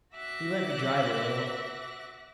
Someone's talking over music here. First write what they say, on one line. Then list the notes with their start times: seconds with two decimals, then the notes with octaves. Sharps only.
He let me drive a little.
0.13 F#4 E5 D6 F#6 A#6